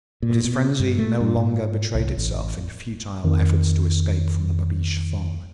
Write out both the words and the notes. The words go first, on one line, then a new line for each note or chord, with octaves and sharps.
But his frenzy no longer betrayed itself in futile efforts to escape from the babeesh thong.
A#2
B2
G2
A3
G2
G#2
C2
A1
F2 D#3